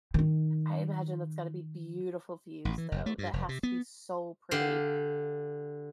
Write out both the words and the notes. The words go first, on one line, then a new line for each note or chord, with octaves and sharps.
I imagine that's gotta be beautiful views, though. That has to be so pretty,
D#3 D#4
A1
E3
F#1
A3
G2
F1
C3
B3
D3 G4 F5